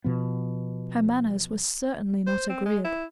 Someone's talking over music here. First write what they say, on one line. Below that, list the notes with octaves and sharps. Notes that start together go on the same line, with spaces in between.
Her manners were certainly not agreeable.
B2 F3 B3
C5
C4
G#3
E4